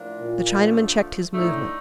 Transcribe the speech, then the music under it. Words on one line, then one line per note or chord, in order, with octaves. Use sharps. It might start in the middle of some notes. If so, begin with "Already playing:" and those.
The Chinaman checked his movement.
Already playing: A2 F3 A#3 D4 F4
A#2
D3 F3 A3
A2 D3 A3 D#4